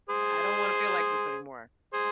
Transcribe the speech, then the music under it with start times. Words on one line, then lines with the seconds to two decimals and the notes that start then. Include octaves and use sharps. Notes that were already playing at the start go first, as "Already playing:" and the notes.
I don't wanna feel like this anymore."
0.09 G#4 C5
1.93 G#4 C5